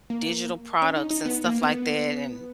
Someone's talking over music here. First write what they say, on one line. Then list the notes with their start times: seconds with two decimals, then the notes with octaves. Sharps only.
digital products and stuff like that, and
0.10 A#3
0.82 C#4
0.96 D#4
1.10 D#4
1.25 B3
1.44 A#3
1.63 B3